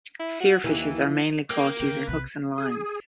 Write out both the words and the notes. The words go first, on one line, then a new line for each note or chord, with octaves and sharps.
Seerfishes are mainly caught using hooks and lines.
E4
F#4
D#2 E3
F3
A#3 G5
D#2 C#3 G5
B1 C3 B4
G#4